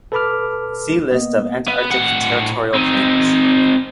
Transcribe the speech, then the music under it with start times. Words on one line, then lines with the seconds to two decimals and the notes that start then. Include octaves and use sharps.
See List of Antarctic territorial claims.
0.12 A4 B4 A5 B5 D6 F6
1.11 A#3 B3 D#5
1.68 B3
1.92 A2 F#5
2.75 C4 D#4